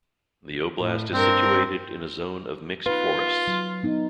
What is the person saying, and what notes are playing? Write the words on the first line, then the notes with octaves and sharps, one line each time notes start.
The oblast is situated in a zone of mixed forests.
A2
G2 C4 A#4
D#4 F4 B4
F#3
B3 D#4